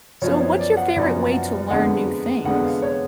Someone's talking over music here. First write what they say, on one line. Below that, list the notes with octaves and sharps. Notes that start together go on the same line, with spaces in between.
So, what's your favorite way to learn new things?
F#2 F3 B3 C#5
C#5
D5
F#5
F#2 F3 B3 D5
F#5
F2 D3 G#3 B3 F#5
F2 D3 G#3 B3 F#5
F5
C#5